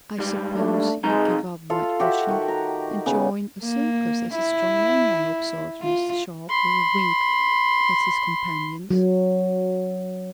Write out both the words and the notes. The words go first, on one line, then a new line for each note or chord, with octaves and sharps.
"I suppose you'll give up whitewashing and join a circus as a strong man, now," observed Mr. Sharp, with a wink at his companions.
G#2 G3
A3 D4
C3 G#3 D#4 A#5
F4 A4 F5
F#4 G4 E5 F#5
D#3 C#6
A#5
C#3 B3
A#3
E4
F4
B5 C6
F#3